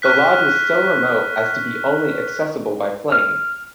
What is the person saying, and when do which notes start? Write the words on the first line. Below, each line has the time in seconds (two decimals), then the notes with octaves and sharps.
The lodge was so remote as to be only accessible by plane.
0.02 C#6 F6 F#6 B6
3.12 F6